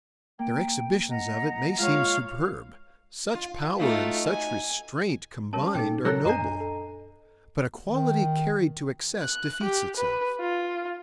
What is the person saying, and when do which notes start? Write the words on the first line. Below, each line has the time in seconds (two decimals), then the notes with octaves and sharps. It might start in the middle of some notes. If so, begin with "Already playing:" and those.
Their exhibitions of it may seem superb,--such power and such restraint, combined, are noble,--but a quality carried to excess defeats itself.
0.39 A#3 G5
1.10 D#5 F#5 A#5
1.79 G#3 F4 C#5 F5
3.35 F4
3.80 A3 D#4 F4 F#4
4.27 G#5
5.53 G3 C#4 A#4 C#5 A5
5.75 A#2 D#4 A4 G5 D6
6.05 F#3 A4 A#4 F#6 A#6
6.25 F#2 D4 D#5 G#5 A#5 C7 D#7
6.60 A4
7.87 D#3
9.23 F#6
9.63 G4
9.96 B4
10.40 F4